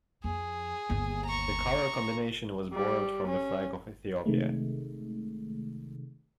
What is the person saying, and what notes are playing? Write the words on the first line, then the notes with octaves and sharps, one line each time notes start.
The colour combination was borrowed from the flag of Ethiopia.
F2 G#4
G1 D#2
A#5 C#6
G3
C#4
C3 D#3 G#3 A3